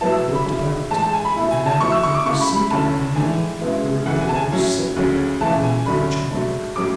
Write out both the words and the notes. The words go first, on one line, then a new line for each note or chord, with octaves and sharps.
They looked about, and now the thing was sinking, and Minnie heard the low sip of the encroaching water.
A2 F#3 B3 E4 A5
E6
B5
C#3 F#3 C#4 E4
A2 E3 G#3 A5
A5
G#5
B5
B2 A3 E4
G#5
A5
B2 A3 E4 C#6
E6
C#6
D6
C#2 B2 A3 E4 C#6
B5
B5
D2 D3 A3 C#4 E4 A5
A2 E3 G#3 D4 G#5
C#2 B2 G#3 B3 E4
D2 C#3 E3 F#5
G#5
A5
G#5
A2 F#3 C#4 E4
D2 C#3 F#3 C#4
C#2 C#3 E3 A3 A5
G#5
D2 D3 F#3 A3 C#4 B5
G#2 F#3 A3 D4
A2 F#3 C#4 D6